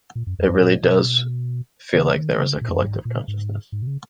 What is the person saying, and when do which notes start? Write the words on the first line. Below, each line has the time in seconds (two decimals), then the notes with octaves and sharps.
It really does feel like there is a collective consciousness.
0.15 A#2
0.27 F#2
0.39 F2
0.49 F#2
0.61 A#2
0.83 B2
1.94 C#3
2.17 D#3
2.39 C#3
2.61 A#2
2.69 F2
2.77 F#2
2.83 G#2
3.05 A#2
3.28 G#2
3.72 G#2
3.82 B2
3.87 C#3